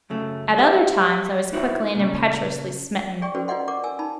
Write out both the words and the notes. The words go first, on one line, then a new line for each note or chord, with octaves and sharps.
At other times I was quickly and impetuously smitten.
F#2 C#3 A3
G4 C5 E5 F5
D#4 E4 F#4 C5
A#2 C#3
G#4 D5 G5 C#6
C#4 F#4 A4 B4 C5 D5
F4 B4 D5 D#5 F#5 C6
A#4 D5 F#5 C#6 D6
A#4 G#5 E6
D#4 A5 B5